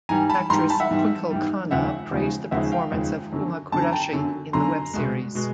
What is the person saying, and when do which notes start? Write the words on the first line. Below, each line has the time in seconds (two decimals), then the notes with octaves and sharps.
Actress Twinkle Khanna praised the performance of Huma Qureshi in the web series.
0.09 G#2 E3 G3 G#5 A#5
0.30 A5 B5
0.50 G#2 E3 G3 A#5 C6
0.70 A5 B5
0.80 E5 F#5
0.90 G#2 E3 G3
1.31 G#2 E3 G3
1.71 D#2 C#3 F3 G#3 E5 F#5
2.11 D#2 C#3 F3 G#3
2.51 D#2 C#3 F3 G#3 E5 F#5
2.72 F5 G5
2.92 D#2 C#3 F3 G#3
3.32 F#2 D3 F#3
3.72 F#2 D3 F#3 A5
3.82 A#5
3.93 G5 A5
4.13 F#2 D3 F#3
4.53 F#2 D3 F#3 A#5 C6
4.94 C2 B2 G#3
5.35 B2 G#3